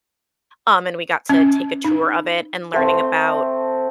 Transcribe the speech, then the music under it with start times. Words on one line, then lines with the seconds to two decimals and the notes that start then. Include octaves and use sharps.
um, and we got to take a tour of it. And learning about
1.29 C#4
1.84 D#4
2.74 A3 C4